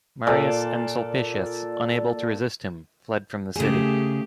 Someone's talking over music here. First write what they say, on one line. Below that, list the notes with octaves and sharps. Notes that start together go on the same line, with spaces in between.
Marius and Sulpicius, unable to resist him, fled from the city.
A#2 A4 D5 F5
C#3 A3 G4 G#4